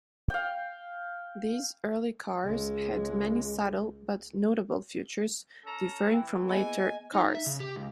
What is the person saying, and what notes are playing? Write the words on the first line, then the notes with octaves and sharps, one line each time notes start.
These early cars had many subtle but notable features differing from later cars.
F5 G5
C#2 G#3
C#4 A4 A#5
E3 G5
A#3 B3 G#4 D#5 G#5
D#4
E5
C#3
G4
C#2